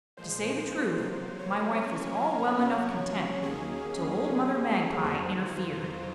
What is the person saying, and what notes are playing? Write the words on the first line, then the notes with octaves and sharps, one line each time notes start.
To say the truth, my wife was all well enough content till old Mother Magpie interfered.
A#2 F3 G#3 C5
C3 F#3 A#3
C#5
C3 F#3 A#3 C#4
F5
C3 F#3 C#4 C#5
D#2 D#3 F#3 A#3 C#4 G#4
C3 F#3 A#3 C#4
F2 D#3 F#3 C5
F4